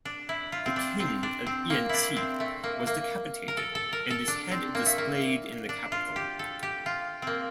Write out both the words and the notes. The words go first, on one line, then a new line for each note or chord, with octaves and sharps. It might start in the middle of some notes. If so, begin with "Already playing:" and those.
The king of Yanqi was decapitated and his head displayed in the capital.
D4
E4
F4
C4
D4
C4
D4
C4
A#3
D4 E4
C4
A3
A#3
A#3
A#4
A4
A4
A#4
A4
D4
C4
A#3
A3
A#3
D4
F4
G4
A4
G4
F4
A#3 C4